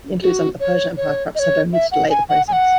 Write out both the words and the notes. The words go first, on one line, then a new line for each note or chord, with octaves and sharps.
The interludes under the Persian Empire perhaps served only to delay the process.
F#4
C#5
C#5
D#5
C#5
E5
F#5
G#5
F#5
G#5
F#5